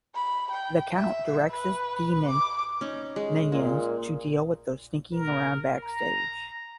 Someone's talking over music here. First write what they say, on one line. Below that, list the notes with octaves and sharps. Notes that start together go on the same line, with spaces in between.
The Count directs his demon minions to deal with those sneaking around backstage.
B5
G5
E5
B4
D6
C#4 D#4
G#3
A#2 G#3
A#4
A#5